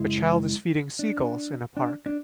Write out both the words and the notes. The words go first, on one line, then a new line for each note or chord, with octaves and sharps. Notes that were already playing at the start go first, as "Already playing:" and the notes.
A child is feeding seagulls in a park.
Already playing: F#2 C#3 G#3 E4
D4
D4
D4